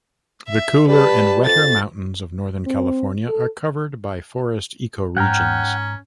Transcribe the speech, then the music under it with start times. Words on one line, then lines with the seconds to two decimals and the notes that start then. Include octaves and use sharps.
The cooler and wetter mountains of northern California are covered by forest ecoregions.
0.48 E5
0.87 G3 B4 A5
1.46 F2 A6
2.67 C4
3.29 A4
5.17 G#2 C#4 F#5 G5 A#5 F6